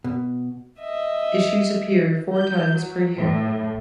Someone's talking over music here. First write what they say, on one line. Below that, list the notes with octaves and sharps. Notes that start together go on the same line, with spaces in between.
Issues appear four times per year.
B2
D#5 E5
G6
F#3
A2